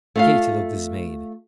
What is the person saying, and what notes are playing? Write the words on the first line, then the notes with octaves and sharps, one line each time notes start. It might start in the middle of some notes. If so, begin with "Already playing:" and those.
Katy looked dismayed.
A3 F4 F5